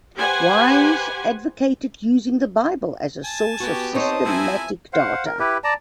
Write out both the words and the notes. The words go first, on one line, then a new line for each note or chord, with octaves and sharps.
Wise advocated using the Bible as a source of systematic data.
G4 B4 C5 F#5 G#5
G#5 A5
B3 F#4 G4
C4 D#4 C5 C#5 A5 D#6
F3 C4 E4 A#4 E5 G#5
C5 F5 F#5
A#4
E4 G4 B4
D5 A5 A#5